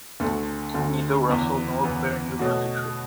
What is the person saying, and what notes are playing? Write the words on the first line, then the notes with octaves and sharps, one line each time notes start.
Neither Russell nor Claire knew about the trade.
D2 D3 A3
D2 D3 A3
E2 C#3 E3 B3
E2 C#3 E3 B3
B2 A3 C#4 F#4